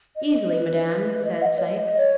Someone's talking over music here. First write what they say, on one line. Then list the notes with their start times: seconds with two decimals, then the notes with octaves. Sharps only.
"Easily, madam," said Sikes.
0.16 D#5
0.52 B4
1.25 D#5
1.42 F#5
1.46 D#5
1.59 C#5
1.63 D#5
1.97 C#5